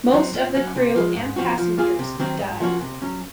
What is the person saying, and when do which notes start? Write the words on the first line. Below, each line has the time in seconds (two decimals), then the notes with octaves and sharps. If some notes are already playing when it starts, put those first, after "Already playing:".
Most of the crew and passengers died.
0.13 F#3 C4
0.34 A#2
0.54 F#3 C#4
0.76 C3
0.96 F3 G#3
1.16 G#2
1.36 F3 C4 F#4
1.58 F3
1.78 A#3 F4 G#4
1.99 C3
2.19 D#3 F#3 C4 D#4
2.40 G#2
2.60 F3 A#3 C#4 F#4
2.81 C3
3.02 F#3 C#4